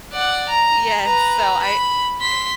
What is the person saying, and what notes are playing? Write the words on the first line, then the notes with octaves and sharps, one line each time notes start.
Yes, so I
D5 F#5
A#5
B4 A#5
B5
C6 B6